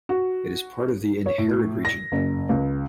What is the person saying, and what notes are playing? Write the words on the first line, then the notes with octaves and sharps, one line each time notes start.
It is part of the Innherred region.
F#4
C#5
A2
A#6
F#1
C#2